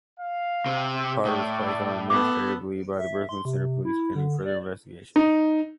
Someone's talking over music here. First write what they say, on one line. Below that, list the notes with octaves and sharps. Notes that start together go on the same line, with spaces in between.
Potter was placed on administrative leave by the Brooklyn Center police pending further investigation.
F5
C3
A2 A4 D5
B3 A4 D6
E5
C6
C3
E4
D3
D5
D#4